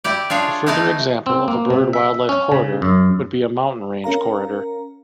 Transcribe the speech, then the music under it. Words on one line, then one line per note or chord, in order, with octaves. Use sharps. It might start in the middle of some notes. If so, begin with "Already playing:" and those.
A further example of a bird wildlife corridor would be a mountain range corridor.
E4 G4 D5
D4 F4 G#4 C#5
E3 A3 B3 D#4 E4
C4
A#3
C3
E5
C#4
C#3
F#2
C#4 A#4 F5 A#5